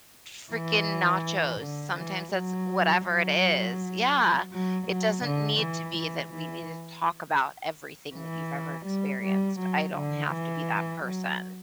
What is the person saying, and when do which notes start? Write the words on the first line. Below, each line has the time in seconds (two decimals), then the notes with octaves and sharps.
freaking nachos, sometimes that's whatever it is. Yeah. It doesn't need to be that we need to talk about everything that you've ever experienced. I don't have to be that person.
0.51 E3
1.60 D3
1.97 E3
2.33 F#3
3.05 F#3
4.51 F#3
4.87 F#3
5.24 D3
5.60 E3
5.95 E3
6.33 E3
8.14 E3
8.86 G3
9.22 G3
9.59 F#3
9.96 D3
10.32 E3
11.04 F#3